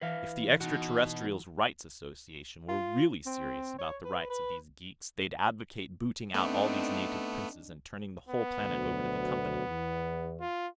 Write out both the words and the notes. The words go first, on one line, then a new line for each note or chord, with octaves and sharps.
If the Extraterrestrial's Rights Association were really serious about the rights of these geeks, they'd advocate booting out all these native princes and turning the whole planet over to the Company.
E3 B4 E5 F5
B2 D#4 F#4
F4
C4
C#5
B4
B4
A3 B3 C4 D4 D#4
B3
D2 B2 F#3
E2
F4